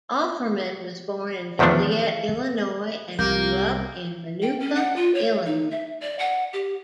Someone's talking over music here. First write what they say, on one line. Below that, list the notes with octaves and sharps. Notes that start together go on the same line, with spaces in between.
Offerman was born in Joliet, Illinois and grew up in Minooka, Illinois.
E2 D#3 F3 A3 B3 D4
C2 A#3 G4 G6
G5
C#4
F#5
F4
C#5
D#4
E5
D5
F#5
G4